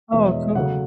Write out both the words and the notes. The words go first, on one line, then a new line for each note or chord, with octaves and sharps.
Oh, cool.
E2 B2 G#3 B3 E5
C#5
D#5
E5
C#3 F#3 A3 F#5